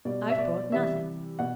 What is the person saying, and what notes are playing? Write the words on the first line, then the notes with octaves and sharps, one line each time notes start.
'I've brought nothing.
B2 G3 D5
E5
D5
C3 E3 G3 E5
B2 F#5